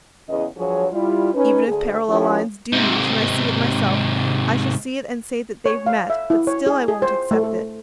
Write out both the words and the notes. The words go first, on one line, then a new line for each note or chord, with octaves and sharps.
Even if parallel lines do meet and I see it myself, I shall see it and say that they've met, but still I won't accept it.
E2 C#3 D#5
G2 F3 F#3 G#4 C#5
G3 E4 F4
C#4 D#4 B4
D2 G#4
D#3 F3 C#4 E4 F4 G4
G#2 C3
C#5
F5
E5
E4
C#5
G#4
G#4
C5
A3
A4